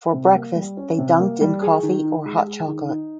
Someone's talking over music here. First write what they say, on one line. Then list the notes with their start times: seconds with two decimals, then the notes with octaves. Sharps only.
For breakfast they dunked in coffee or hot chocolate.
0.14 C3
0.34 A#3
0.56 G3
0.77 C#4
0.98 C3
1.20 A#3
1.41 G3
1.62 G#4
1.83 D#3
2.04 D#4
2.25 G#3
2.46 G#4
2.68 D#3
2.89 D#4